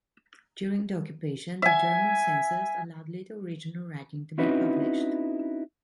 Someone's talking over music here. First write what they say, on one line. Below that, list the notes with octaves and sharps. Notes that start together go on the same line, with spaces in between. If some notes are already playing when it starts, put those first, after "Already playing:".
During the Occupation, the German censors allowed little original writing to be published.
E5 G#5
C4 C#4 D#4 E4 F#4 B4